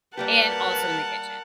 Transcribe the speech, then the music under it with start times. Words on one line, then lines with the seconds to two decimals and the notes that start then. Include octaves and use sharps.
and also in the kitchen.
0.17 G3 A#3 G4 A#4 B4 F#5 A5